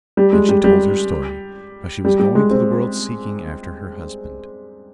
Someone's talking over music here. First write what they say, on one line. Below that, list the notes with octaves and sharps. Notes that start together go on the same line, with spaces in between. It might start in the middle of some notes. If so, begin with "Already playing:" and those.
Then she told her story--how she was going through the world seeking after her husband.
G3
G#3
G3
G3
G3
G3
G#3
C4